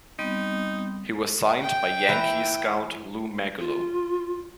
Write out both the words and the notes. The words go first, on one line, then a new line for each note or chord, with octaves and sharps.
He was signed by Yankees scout Lou Maguolo.
G3 B3 C4 D#4
G5
E3 E5 A#5
F4